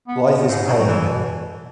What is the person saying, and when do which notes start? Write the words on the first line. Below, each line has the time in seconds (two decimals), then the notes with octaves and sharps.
Life is pain.
0.08 B3
0.28 B2
0.48 G#2
0.67 B2
0.79 F#3
0.86 E3
1.06 B2